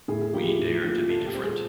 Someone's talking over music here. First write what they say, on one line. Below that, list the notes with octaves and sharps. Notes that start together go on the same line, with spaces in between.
We Dare to Be Different.
A2 G#4
G#4
F3 A#3 G4
G#4
A2
F3 A#3
A#2 A4
G4
G3 C4
G#4